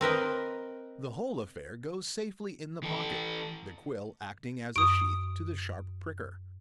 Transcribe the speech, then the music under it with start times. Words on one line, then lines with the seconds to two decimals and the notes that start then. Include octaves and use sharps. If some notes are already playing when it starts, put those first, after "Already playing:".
The whole affair goes safely in the pocket; the quill acting as a sheath to the sharp pricker.
0.01 C4 A#4 B4 D#5
2.83 E3 A4
4.76 F#2 C#6 D#6 D7